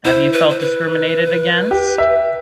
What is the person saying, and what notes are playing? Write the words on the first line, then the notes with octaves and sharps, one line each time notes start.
Have you felt discriminated against?
E4 C5
B4
C5
B4
G4
E5